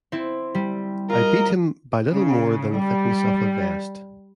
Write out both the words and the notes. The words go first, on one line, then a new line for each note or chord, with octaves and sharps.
I beat him by little more than the thickness of a vest.
C4 E4
G3
F4 A#4 D#5
C#3
G3